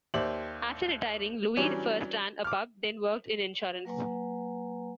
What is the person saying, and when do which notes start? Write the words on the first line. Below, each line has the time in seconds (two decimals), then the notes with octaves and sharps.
After retiring, Lewis first ran a pub, then worked in insurance.
0.14 D#2 G4 C5 D5 E5 F#7
1.57 E3 F#3 G3 C#4 D4
2.44 D6 F6
3.85 F#3 A#3 B4 F#5 G#5 A#5